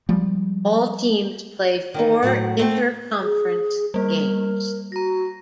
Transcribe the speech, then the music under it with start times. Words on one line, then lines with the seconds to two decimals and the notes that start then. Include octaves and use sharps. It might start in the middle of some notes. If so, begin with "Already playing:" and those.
All teams play four interconference games.
0.09 F3 G3 G#3
1.94 D#3 E3 D#4
2.23 A2 F#3 F5 F#5
2.59 A3 C4
3.22 G#4
3.94 G3 A#3 A#4
4.92 F#4 A#5 A#6